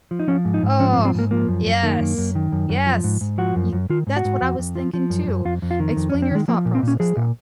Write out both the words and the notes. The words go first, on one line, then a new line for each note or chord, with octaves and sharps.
Oh, yes. Yes. You that's what I was thinking too. Explain your thought process, though.
F3
D#4
F3 C#4
G#2
D#4
G#2
F3 C#4
C4
G#2
C4
G#2 A#3
F3 A#3
F#2
F#2
D#3 A#3
F#2
F#2
D#3
F#2
F#2
F3
G#2
G#2
F3 F#4
F#2
F#2
D#3 F4
G#2
F#4
G#2
F2
F2
F3
F3
F#2
F#2
F2 F4
F2
F4
D#3
F2
C#4
F2
C4
D#3 G#3
F3 A#3
A#2
C4
A#2
C#4
F3 G#4
A#2